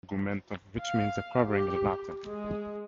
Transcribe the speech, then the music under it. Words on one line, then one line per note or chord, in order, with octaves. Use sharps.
It derives from "integumentum", which means "a covering" in Latin.
F5
G4
G#3